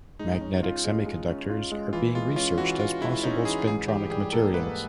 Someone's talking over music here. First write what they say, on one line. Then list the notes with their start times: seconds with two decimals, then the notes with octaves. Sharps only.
Magnetic semiconductors are being researched as possible spintronic materials.
0.19 G#3 D#4
0.41 C#4
0.63 F4
0.85 G#3
1.06 G#3
1.28 C#4
1.49 F4
1.71 G#3
1.93 E3 F4
2.15 G#3 F4
2.36 C#4 F4
2.58 E3 F#4
2.80 E3 F4
3.01 G#3 E4
3.23 C#4 D#4
3.45 E3 G#4
3.67 G#2 G#4
3.88 E3 G4
4.10 G3 G#4
4.33 A#3 A4
4.54 G#2 B4